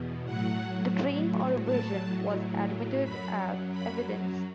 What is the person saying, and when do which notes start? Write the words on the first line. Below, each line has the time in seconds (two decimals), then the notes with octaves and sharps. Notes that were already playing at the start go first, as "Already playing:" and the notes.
The dream or vision was admitted as evidence.
Already playing: E2 B2
0.24 A2 F#3 F#5
1.64 A2 F#3 A5
3.02 F#2 F#3 B5
3.72 B5